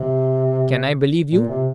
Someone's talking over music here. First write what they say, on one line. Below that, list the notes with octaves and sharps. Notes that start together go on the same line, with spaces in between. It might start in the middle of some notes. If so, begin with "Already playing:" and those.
"Can I believe you?"
Already playing: C3
A#2
C3